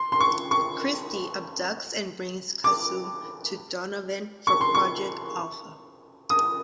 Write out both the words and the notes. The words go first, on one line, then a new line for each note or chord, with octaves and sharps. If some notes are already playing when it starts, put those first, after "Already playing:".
Christie abducts and brings Kasumi to Donovan for Project Alpha.
Already playing: C6
C6
C#6
C#6
D6
C#6
C6
C#6
D#6